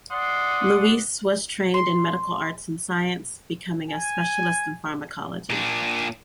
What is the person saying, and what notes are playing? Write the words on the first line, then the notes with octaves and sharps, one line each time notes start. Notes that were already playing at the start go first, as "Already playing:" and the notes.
Louis was trained in medical arts and science, becoming a specialist in pharmacology.
D5 F#5 C6 D#6
C6
G#5
A#2 D4